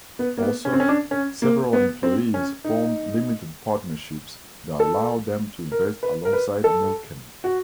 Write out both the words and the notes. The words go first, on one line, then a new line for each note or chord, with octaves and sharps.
Also, several employees formed limited partnerships that allowed them to invest alongside Milken.
B3
A#3
B3
C#4
C4
C#4
D4
C#4
A#3
B3
C4
C#4
D#4
A4
A#4
B4
A#4
B4
A4
F#4